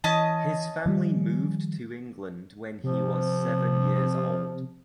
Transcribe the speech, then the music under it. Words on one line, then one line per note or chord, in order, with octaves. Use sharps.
His family moved to England when he was seven years old.
E3 C#4 D#5 A5
D#3 F3 G3
C3 F3